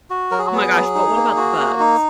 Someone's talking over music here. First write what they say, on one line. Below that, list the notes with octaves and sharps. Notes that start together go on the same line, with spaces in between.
Oh my gosh, but what about the bugs?
F#4
F#3 A#4
G#4
F#4
B3 G#4
F#3
D#4
A#3
F#4
A#3
D#4